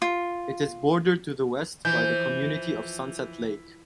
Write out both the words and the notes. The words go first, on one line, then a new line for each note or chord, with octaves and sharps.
It is bordered to the west by the community of Sunset Lake.
F4
E3 F3 G6